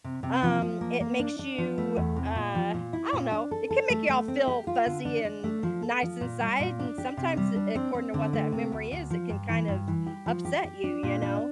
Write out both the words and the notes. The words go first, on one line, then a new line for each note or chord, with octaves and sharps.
um, it makes you, uh I don't know. It can make you all feel fuzzy and nice inside. And sometimes, eh, according to what that memory is, it can kind of upset you. You know?
C3
C3
F3
F3
A#3
A#3
D4
D4
F3
A3
E2
C3
A#2
F3
A#2
E4
A#2
D4
A4
A4
A3
A3
C4
G4
F4
D3
D4
D4
A3
F3
A4
F3
A#2
G3
A#2
D4
G4
C3
G3
D4
C4
C4
D3
A3
C3
D2
D2
F3
G2
E3
G2
E3
G4
F3
G4
G4
D4
A#2
D4